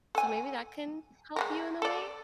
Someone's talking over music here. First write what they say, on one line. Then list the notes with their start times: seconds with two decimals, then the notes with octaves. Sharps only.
so maybe that can help you in a way?
0.15 A4 G#5
1.36 G#3 A3 A#4
1.82 A4 D5